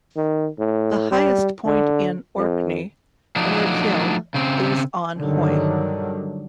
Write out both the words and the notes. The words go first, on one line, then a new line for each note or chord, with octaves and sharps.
The highest point in Orkney, Ward Hill, is on Hoy.
D#3
A2
G3
D3
F2
F3 F#3 A3 D4 D#4
C#3 C4
G2 D3 D#3 F#3 G3